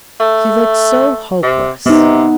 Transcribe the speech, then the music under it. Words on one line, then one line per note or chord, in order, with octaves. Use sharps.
He looked so hopeless.
A3
C3
C3 B3 D#4